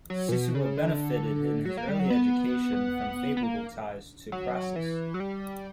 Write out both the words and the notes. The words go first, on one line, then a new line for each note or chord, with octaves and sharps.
Cicero benefited in his early education from favorable ties to Crassus.
F#3
A#2
B2
C#3
D3
F#3
A#3
G3
F#3
B3
B3
A#3
F#3
E3
F#3
G3